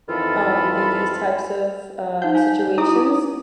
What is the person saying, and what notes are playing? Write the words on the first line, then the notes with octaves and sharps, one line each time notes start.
um, in these types of, uh, situations,
F2 D#3 E3 F4 A4 B5
D#4 F#5 G6
C5 F5 G#5
D#4 E4 G4 A#5 D6 D#6